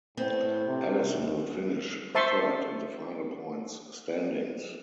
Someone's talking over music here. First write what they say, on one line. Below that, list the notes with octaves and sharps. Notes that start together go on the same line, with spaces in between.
Allison would finish third in the final points standings.
A2 E3 B3 C4
C3
D#2
C5 E5 A5 C6 C#6